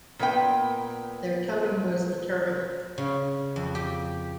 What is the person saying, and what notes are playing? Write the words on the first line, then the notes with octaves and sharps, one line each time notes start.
Their totem was the turtle.
A#2 B3 B4 G5
C#3
F2
G4